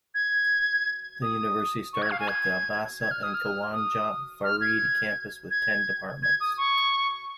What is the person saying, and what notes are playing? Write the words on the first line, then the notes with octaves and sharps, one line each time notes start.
The University started at the Abbasia and Khawaja Fareed campuses with ten departments.
G#6
D#6
C#6
G#6
F5
G#5
G#6
G#6
F6
D#6
F6
D#6
F6
G#6
G#6
G#6
D#6
C#6